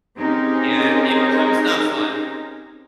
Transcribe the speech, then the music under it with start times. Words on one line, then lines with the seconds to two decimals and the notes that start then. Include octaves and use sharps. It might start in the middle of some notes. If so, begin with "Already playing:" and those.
Yeah. It becomes not fun.
0.17 C4 C#4 D#4 G4 G#4 A#4